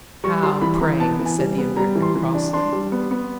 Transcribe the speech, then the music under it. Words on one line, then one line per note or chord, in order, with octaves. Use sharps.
"How, pray?" said the American, crossly.
G3 C#6
G3 C6
E3 B5
E3 A#5
B3 A5
E3
G#5
G3
B3
G3 A#5
E3
C6
E3
D4
D4 C6
G3
B3
B3